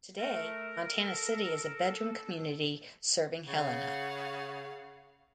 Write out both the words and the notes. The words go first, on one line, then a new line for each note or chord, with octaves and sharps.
Today, Montana City is a bedroom community serving Helena.
A3 A#4
A4
C#3 F5 F#5